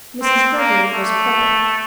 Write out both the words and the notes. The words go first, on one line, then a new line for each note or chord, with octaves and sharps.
Mrs. Greggory was a cripple.
C4
A#3
A3